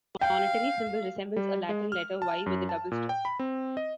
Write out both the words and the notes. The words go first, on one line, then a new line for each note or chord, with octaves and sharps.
This monetary symbol resembles a Latin letter Y with a double stroke.
F5 G5
G3
G#3
F6
A5
F#2
A5
A#2
G5
B5
C4
D#5